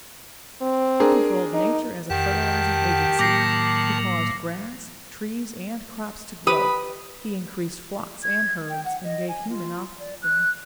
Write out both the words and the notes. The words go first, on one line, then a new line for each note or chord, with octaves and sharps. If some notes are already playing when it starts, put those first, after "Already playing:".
He controlled nature as a fertilizing agency; he caused grass, trees, and crops to grow; he increased flocks and herds, and gave human offspring.
C4
D4 G#4 A#4
D#4
F2 D#3 G4 F#5 A5
A2 F#3 A#3 D6 A#6 C7
G4 B4 B5 D#6
G#6
G5
F#5
D#5
G#5
F4
D5
F#6